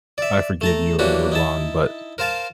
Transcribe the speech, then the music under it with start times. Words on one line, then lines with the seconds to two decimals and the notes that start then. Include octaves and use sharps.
"I forgive you," we move on, but
0.18 D5 E5
0.61 A3 A5 A#5
0.99 E3 F#3 A#3 D4 F#4 G4
1.32 D#4 E4 A5
2.18 A#4 C5 F5 A5